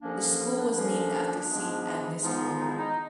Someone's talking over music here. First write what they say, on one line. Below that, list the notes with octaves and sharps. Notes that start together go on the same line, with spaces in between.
The school was named after Saint Agnes of Rome.
D#2 D3 F3 A#3 C#4 D4
C#4
C#4
D4
D#2 D3 F3 A#3 C#4
G#2 F3 G#3 B3
G#2 F3 G#3 B3 D#4
D#4
E4
D#4